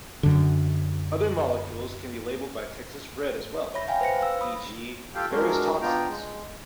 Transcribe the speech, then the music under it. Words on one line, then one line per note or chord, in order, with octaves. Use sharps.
Other molecules can be labeled by Texas Red as well, e.g., various toxins.
F#2 D3
C#5 E5 B5 A#6
F5 G5 G#5
B4 C5 A#6 C#7
F5 E6
B5 D#6
F4 G4 A4 F5 G5
F#3 G#3 D4 F#4 A#4
B3 D4 F4 G5 A#5
G#3